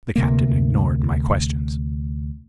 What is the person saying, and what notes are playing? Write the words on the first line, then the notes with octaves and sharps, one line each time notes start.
The Captain ignored my questions.
D2 C3 A#3